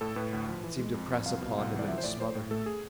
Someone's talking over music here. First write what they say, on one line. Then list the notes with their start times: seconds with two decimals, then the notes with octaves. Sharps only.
It seemed to press upon him and to smother him.
0.01 A2 A4
0.16 A2 B4
0.33 D2
0.48 F3
0.64 E3
0.79 G#3
0.94 F2
1.10 F2
1.25 C2 F5
1.41 B2
1.58 C2
1.72 E3
1.79 D5
1.88 F3 E5
1.98 C5
2.04 A2 D5
2.20 A2 C5
2.35 A2
2.51 A3 A4
2.66 G#4